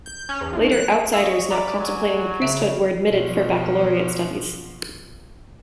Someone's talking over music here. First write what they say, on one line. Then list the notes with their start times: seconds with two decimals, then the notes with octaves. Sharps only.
Later "outsiders" not contemplating the priesthood were admitted for baccalaureate studies.
0.06 G6
0.29 C#4
0.41 E2
0.53 B1
0.72 F#6
1.13 D#5 F5 C#6 E6 B6
1.50 D5 A#5 B5 D6
1.80 F#3 G#5
2.42 C#3 E5
3.07 B2 F3